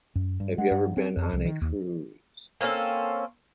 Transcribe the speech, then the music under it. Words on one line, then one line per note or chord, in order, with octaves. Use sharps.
Have you ever been on a cruise?
F#2
G2
G#3
G2
C4
F2
C2
D#3
D#2
A#3 C4 C#4 A4